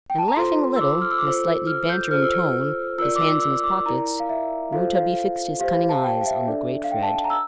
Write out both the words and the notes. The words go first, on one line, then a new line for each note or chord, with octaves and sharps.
And laughing a little, in a slightly bantering tone, his hands in his pockets, Rouletabille fixed his cunning eyes on the great Fred.
G5
A5
A#5
F4 A4 C5 C6
E6
D6
F6
E6
D6
F4 A4 C5 E6
F6
G6
F4 A4 C5 F6
E6
F6
F4 A#4 D5 E6
D6
E6
E6
D6
E4 A#4 D5 A#5
F5
E5
F4 A4 C5 F5
F5
G4 C5 F5
F5
A5
G5
F5
E5
D4 A4 D5
F5
G5
A5
A#5
E6